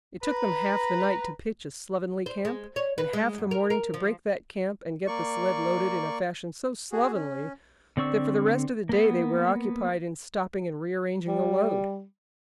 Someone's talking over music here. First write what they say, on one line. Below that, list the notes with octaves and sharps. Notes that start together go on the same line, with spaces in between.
It took them half the night to pitch a slovenly camp, and half the morning to break that camp and get the sled loaded in fashion so slovenly that for the rest of the day they were occupied in stopping and rearranging the load.
B4 A#5
C5
G#3
C#5
B4
G#3
F#2
A#4
A#4
F3
A#3 D5 C#6
F#4 G#4
C#4
D3 C4 D5 C#6 E6
A#3 B3
G3